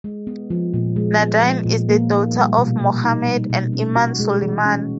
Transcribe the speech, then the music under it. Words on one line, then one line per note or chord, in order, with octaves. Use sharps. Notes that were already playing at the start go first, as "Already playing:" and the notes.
Nadine is the daughter of Mohamed and Iman Soliman.
G#3
B3
F3
A#2
G#3
B3
F3
A#2
A#3
D#4
G3
B2
A#3
D#4
G3
B2
C#4
F#4
G#3
E3
C#4